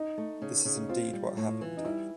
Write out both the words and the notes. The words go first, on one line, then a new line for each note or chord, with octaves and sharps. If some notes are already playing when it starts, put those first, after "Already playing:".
This is indeed what happened.
Already playing: D#4
A3
C#3
C#3
C4 F4
G3
A2
E3
D#4
G3 E4